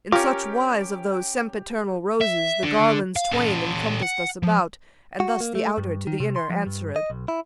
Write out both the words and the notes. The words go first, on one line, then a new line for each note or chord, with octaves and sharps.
In such wise of those sempiternal roses The garlands twain encompassed us about, And thus the outer to the inner answered.
C#4 F4 G4 A#4 D6
E5
D3
F5
C#4 A4
F#5
F3
F#4
A#3
A3
G2
D#3
C3
C6
F3
G2
D#5
B1
E4